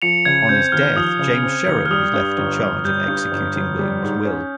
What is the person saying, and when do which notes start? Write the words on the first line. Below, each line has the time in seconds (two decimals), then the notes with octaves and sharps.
On his death James Sherard was left in charge of executing William's will.
0.02 F3 C#7 F7
0.25 C#3 G#6
0.49 C4 G6
0.72 D#2 F6
0.96 F3 D#6
1.19 C#3
1.43 C4
1.67 D#2
1.86 F6
1.90 G3 D#6
2.13 G2
2.38 G1
2.61 G1
2.85 G3 G6
3.08 G2
3.32 G1
3.56 G1
3.79 G3
4.02 G#2
4.25 C#4